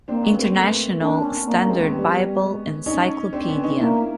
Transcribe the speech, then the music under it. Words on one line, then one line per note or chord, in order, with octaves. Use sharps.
"International Standard Bible Encyclopedia".
A#3 C4 D4
B3 C#4
A#3 C4
A3 B3
A#3 C4 D4
C#4
A#3 D4
C#4
G#3 C4
B3 C#4
G3
G#3
C#4 D#4
C4 D4
B3 C#4
C#4 D#4
A#3 D4 E4